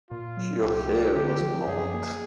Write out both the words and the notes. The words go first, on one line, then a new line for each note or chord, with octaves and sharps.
Her hair was blonde.
A#2 F4
F#3
C2 G4
A3
D3 G4
F3
F#2 G#4
A#3